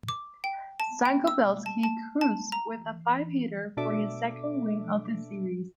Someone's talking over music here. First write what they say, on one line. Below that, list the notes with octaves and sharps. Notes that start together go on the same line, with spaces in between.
Stan Coveleski cruised with a five-hitter for his second win of the Series.
D6
G5
A5
G5
E6
A5
A5
A5
A#5
B2 D4 A4 E5 D6